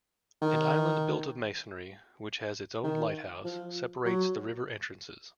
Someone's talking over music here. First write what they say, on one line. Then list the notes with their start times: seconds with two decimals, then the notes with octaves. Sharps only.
An island built of masonry, which has its own lighthouse, separates the river entrances.
0.42 D#3
2.84 D#3
3.44 F3
4.05 F#3